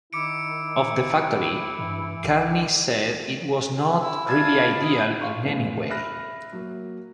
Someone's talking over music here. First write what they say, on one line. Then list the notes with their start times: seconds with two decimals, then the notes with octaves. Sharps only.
Of the factory, Carney said it was not really ideal in any way.
0.13 D#3 E4 D6 C#7 D7
1.79 G2 E3
2.24 C2
4.01 E4 E6
4.28 D5 F5 A5 G#6
4.82 D#6
5.20 F5 C6 C#6
5.43 A#1 E2 A2 C#3
5.89 E5 B5 F6 F#6 A#6
6.52 F#3 A#3